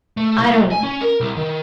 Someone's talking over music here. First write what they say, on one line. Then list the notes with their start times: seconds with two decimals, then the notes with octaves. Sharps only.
'I don't know.
0.17 A3
0.38 C2
0.71 G#5
0.83 C#4
1.01 A#4
1.20 C2
1.36 D#3